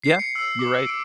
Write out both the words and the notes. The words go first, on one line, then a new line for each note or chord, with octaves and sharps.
Yeah. You're right.
C7
C#7
E6
D6
D7